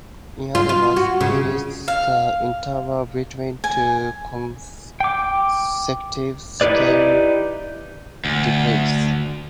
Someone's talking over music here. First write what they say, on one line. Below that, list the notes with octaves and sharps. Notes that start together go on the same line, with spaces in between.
In other words, it is the interval between two consecutive scale degrees.
F4
F4
F#4
C#3
F5
G#5
G5 D6
D#4 E4 G4 B4 D5
D2